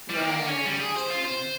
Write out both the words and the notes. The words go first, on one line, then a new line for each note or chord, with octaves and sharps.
Right, I see.
G3
A#3
C#4
G3
G#4
C5
F4
C5